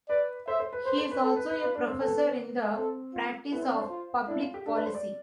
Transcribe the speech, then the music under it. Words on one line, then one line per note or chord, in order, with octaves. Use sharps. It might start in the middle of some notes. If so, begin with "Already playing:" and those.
He is also a Professor in the Practice of Public Policy.
B4 D5
C5 E5
C5
B4
B4 C5
C5
B4
A4
B4
B4
F4 B4
D4
C4
B3 A4
C4 A4
F4
B3 E4
C4
D4
C5
F4
D4 E4
F4
G4
D4 A4
B4
C5
D5